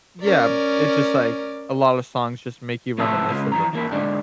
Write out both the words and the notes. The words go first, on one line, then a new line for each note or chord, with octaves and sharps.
Yeah, it just like, a lotta songs just make you reminisce of the past.
C#4 A#4 D5
A2 C3 F3 B4 E5 A5
C#3 G#3 F4 B4
E3 F3 A#5
E3 A#3 E4
G#2 D3 G#3 D4